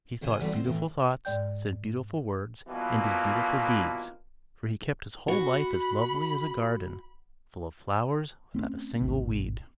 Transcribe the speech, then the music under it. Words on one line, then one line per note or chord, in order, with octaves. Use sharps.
He thought beautiful thoughts, said beautiful words, and did beautiful deeds, for he kept his whole life as lovely as a garden full of flowers without a single weed.
A2 C#3 C5 G#5
E3 F#3 G3 A3 B3 C4
C4
A2 E3
G#2 G#3 D5 G5 G6
B2 E3 F3 G3 A#3
F#4 B5
A3 C4 C#4
G#1 D2 B2